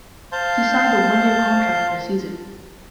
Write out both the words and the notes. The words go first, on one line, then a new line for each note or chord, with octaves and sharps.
He signed a one-year contract for the season.
C5 F5 A5 C6 G6